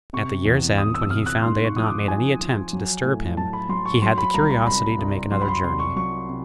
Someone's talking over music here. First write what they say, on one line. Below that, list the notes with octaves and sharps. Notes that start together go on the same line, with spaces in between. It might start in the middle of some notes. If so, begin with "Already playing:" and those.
At the year's end, when he found they had not made any attempt to disturb him, he had the curiosity to make another journey.
C3 C#6
E2
E2 D#6
E6
C3 F6
F#6
G#2 C6
C#6
F3 D#6
D6
F3 G#5
F3
F#3
A2
F#3 A5
B5
F#3 C6
C#6
F#3 C6
B5
C2 A#5
B5
C2 B5
C2
F#3 C6
B5
C6
C3 C6
C#6
F#3 C#6
C3